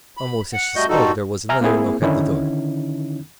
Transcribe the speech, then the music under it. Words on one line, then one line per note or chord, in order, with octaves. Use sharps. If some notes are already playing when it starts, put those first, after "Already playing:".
Almost as she spoke, there was another knock at the door.
B5
F#5
G3 A3 F#4 D#5 G6
A#2 G3 D#4 F#4 A4
E5 G#5 A#5 F6
A#3 C4 E4 G#4
D3 D#3 C#4 D#4 E4